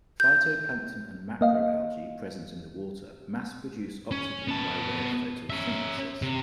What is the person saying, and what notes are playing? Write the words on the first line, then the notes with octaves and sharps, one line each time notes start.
Phytoplankton and macroalgae present in the water mass-produce oxygen by way of photosynthesis.
G6
A#3 D#5 F5
C#4
B3 A5
C#4 E5
C3